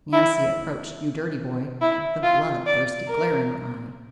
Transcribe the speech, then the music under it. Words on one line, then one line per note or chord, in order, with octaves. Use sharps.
Nancy approached You Dirty Boy with a bloodthirsty glare in her eye.
E4
E4
F4
D5
A#4